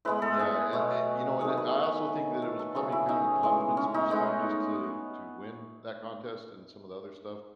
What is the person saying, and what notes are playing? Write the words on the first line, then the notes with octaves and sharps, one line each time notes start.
Yeah, and eh, you know, and eh I also think that it was probably kind of a confidence boost too, just to to win that contest and some of the other stuff.
A2 G#3 B3 B4
A4
G#4
B2 F#3 A3
D#3 F#3 A3 G#4
B4
D#3 A3
A4
A4
C#3 F#3 A3 G#4
E4
D#4
A2 E3 G#3
C#4
D#4
A2 G#3 B3 D#4